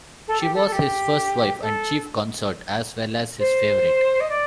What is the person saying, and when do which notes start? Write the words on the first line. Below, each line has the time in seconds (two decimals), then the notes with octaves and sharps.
She was his first wife and chief consort as well as his favourite.
0.28 A4
0.40 G4
0.54 A4
0.66 A4
0.72 G4
1.61 A4
3.39 C5
4.20 D#5
4.29 D5